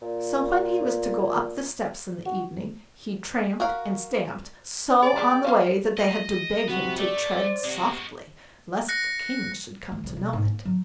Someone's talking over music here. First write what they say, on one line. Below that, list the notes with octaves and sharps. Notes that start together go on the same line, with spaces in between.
So, when he was to go up the steps in the evening, he tramped and stamped so on the way, that they had to beg him to tread softly lest the King should come to know it.
A#2
F#4
F#4 A#4 F5
G#4 D5
G#3 D4 G4
G5
F#3 C4 C#4 F5
D#5
C3 B3 F#4
A3 D5
C5
C3 G#3 F#4
F#6 A#6 C#7
A3
C2
B2
G#2
A#3
F#3